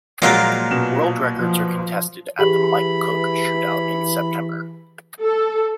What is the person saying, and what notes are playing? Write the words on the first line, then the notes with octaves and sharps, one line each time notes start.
World records are contested at the Mike Cook ShootOut in September.
A#2 F3 F#3 G#3 A#3 F4 A#4 F5
B2 E7
F3
E3 G4 G#4 B5 F#7
A4